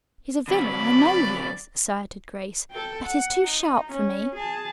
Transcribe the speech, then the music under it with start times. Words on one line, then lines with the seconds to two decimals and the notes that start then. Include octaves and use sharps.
"He's a villain, I know he is," asserted Grace, "but he's too sharp for me."
0.48 D3 F#3 C4 D5 B5
2.71 A4 G5
3.04 F#5
3.44 D#4
3.91 C#4
4.35 G#4 A5